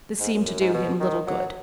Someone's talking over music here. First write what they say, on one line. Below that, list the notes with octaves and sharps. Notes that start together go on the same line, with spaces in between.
This seemed to do him little good.
G#2
F#2
F#2
G#2
B2
D#3
F#3